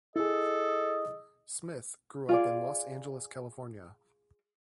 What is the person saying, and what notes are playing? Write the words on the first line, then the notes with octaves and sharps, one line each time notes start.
Smith grew up in Los Angeles, California.
E4 G#4 A4 D#5
F4 G#4 D5